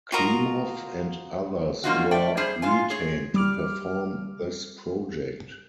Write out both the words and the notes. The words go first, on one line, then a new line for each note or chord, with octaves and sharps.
Klimov and others were retained to perform this project.
F4 F#4 A#4 D#5
F3 A#3 C#4 D#4 F4 F#4
A3 D5 G5
G3 G#4 C5
G#2 F4 G#5
G#4 C#5
G3 D6 F6